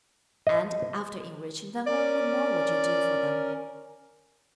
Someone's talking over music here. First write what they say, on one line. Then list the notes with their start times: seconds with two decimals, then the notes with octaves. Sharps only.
"And after enriching them, what more would you do for them?"
0.47 D#5
1.87 C#4 A#4 D5